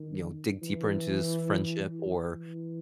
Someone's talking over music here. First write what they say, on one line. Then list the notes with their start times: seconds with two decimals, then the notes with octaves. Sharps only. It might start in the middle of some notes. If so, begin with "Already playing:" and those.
you know, dig deeper into this friendship or,
Already playing: D#3
0.62 E3
2.34 E3